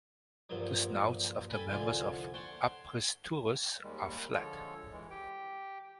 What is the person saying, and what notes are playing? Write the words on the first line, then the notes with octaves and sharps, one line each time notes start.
The snouts of the members of "Apristurus" are flat.
G2 A#2 F3 F#3
A4 G5 G#5 B5
C2 F2 D3 F4 G#5
C#5 F#5 G5 A5 C6
D#2 D#3 G3 G#3
D3 F3 G#3 A4 C#5
E3 G#3
G4 G5